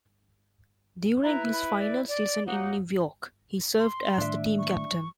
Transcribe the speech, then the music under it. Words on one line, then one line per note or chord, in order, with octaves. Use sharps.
During his final season in New York, he served as the team captain.
E4 B4 A#5
B5
D5
D5
F#3 A#3 D#4 F#5
C6
A2 D#3 G3 D4 E5
C#6